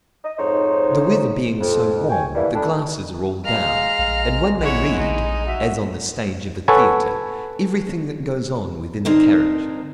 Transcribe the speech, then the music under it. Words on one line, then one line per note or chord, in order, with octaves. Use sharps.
The weather being so warm, the glasses are all down; and one may read, as on the stage of a theatre, everything that goes on within the carriage.
D#5
F2 G#2 D#4 C5 C#5
F2
C#5 G5 G#5
D3 E3 G3 A#3 D4 E4
G3 D4 G4 A4
G#3 F5 A#5 F6
A#1
A#1 E4 C#5 F#5
A#1 D#4
F#4 E5
A4 B4 C#5 F#5 G#5
D3 C4 D#4 A#4 C5